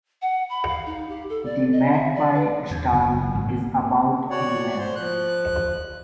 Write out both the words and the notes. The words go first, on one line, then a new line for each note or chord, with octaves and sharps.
The magpie starling is about in length.
F#5
B5
F5
D#4
G4
A4
D5
D#5
E5
D5
B4
E2
F#1
G#1
A#3
F#4 C#5 D5 F#5
A2 C5 C6
F3 F#6